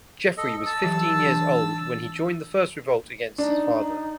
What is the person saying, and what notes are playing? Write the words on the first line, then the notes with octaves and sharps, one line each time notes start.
Geoffrey was fifteen years old when he joined the first revolt against his father.
A4 D#5
A5 E6
E3 F#3 G4
E3 D4
D4 D#4